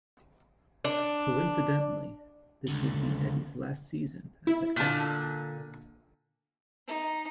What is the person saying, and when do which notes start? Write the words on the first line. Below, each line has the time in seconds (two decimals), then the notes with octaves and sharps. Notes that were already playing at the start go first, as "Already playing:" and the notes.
Coincidentally, this would be Eddie's last season as head coach.
0.84 D4
2.68 C#2 D3
4.47 E4
4.76 A#2 D3 A5 B6
6.87 D#4